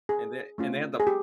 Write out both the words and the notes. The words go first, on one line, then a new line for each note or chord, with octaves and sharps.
and they and they had the
G#4
A3 C#4 F4
G#4
G4